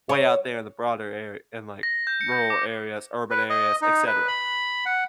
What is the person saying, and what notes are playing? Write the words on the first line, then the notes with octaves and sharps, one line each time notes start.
way out there in the broader are and, like, rural areas, urban areas, etcetera.
C#5
A#6
G6
C#7
G6
D6
B4
D#5
D#4
B4
B5
F#5